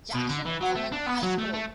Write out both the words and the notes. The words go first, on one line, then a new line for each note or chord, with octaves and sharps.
Jackson-Olin High School.
B2
D3
E3
F#3
A3
D4
B3
F#3
A3
A3